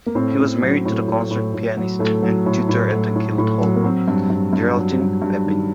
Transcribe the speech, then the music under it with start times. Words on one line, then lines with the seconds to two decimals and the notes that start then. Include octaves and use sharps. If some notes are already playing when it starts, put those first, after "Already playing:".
He was married to the concert pianist and tutor at the Guildhall, Geraldine Peppin.
0.06 A#3
0.15 A2 C4
0.39 A2
0.62 F#3
0.85 A2
1.08 A2
1.31 A2
1.54 A2
1.77 F#3
1.99 A2 A3
2.22 F#3
2.46 A2
2.69 A2
2.91 F#3 A3
3.15 A2
3.38 A2
3.61 F#3
3.76 A#3
3.83 F#3 C4
4.08 G2
4.30 G2
4.53 G2
4.76 F#3
5.00 G2
5.22 G2
5.45 D#3